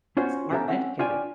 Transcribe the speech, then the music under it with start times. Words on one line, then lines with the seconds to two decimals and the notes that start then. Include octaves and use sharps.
smart and educated.
0.17 B3 C#4 F4 F#4 C5 C#5
0.50 B3 C#4 G4 A4 E5 A#5
0.68 C4 C#4 E5 F#5
0.99 D4 F4 C#5 D5 G5 G#5